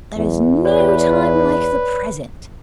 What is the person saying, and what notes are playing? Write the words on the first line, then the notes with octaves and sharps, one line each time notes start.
There is no time like the present.
E2
B4 C#5 D5